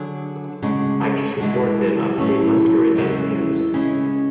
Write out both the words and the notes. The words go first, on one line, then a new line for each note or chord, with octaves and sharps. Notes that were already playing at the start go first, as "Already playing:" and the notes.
I just report them as they masquerade as news.
Already playing: D3 F#3 D4 G#4
C#3 G#3 D4 F#4
E3 G#3 D4 F#4
A2 F#3 A3 C#4
E2 C#3 E3 G#3
C#3 G#3 C#4 E4 G#4